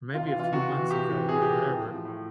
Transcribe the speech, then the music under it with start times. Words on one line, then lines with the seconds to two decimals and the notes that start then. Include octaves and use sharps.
or maybe a few months ago or whatever.
0.14 C3 F4
0.27 F4
0.33 E3
0.39 F4
0.53 C3 F#4
0.72 E3 F#4
0.91 C3 G4
1.10 E3
1.29 C3 G#4
1.42 G4
1.49 E3
1.68 A2
1.86 F3
2.05 A2